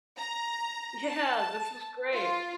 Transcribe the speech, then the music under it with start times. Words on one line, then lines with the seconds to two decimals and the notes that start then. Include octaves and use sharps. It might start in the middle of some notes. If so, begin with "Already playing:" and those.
Yeah, this was great
0.17 A#5
1.10 A5
2.14 F4